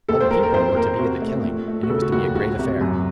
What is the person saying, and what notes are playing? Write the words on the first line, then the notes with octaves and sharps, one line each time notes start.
All the people were to be at the killing, and it was to be a great affair.
D#2 A4
C5
D#2 A#4
A#4
F2 C5
A#3 A#4
C3 F#4
A3
A#2
A3
F#4
C#3 A4
F#4
D#2 F#4
C#2 F#4
C3
F#2